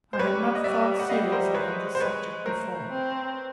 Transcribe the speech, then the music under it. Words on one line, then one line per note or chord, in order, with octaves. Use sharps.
I had not thought seriously on this subject before.
C5
G3 B4 C#5
D#5
G3 D5 E5
F#5
G3 D#5 F5
A#4 C5
G#3 B4 C#5
C5
G#3 B4 C#5
A3 A#4 C5
C4